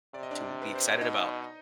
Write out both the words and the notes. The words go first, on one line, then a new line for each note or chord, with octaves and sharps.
to be excited about.
C3 D5
D#5
D4 D5
B4
C5
D5
B2 D#4 D#5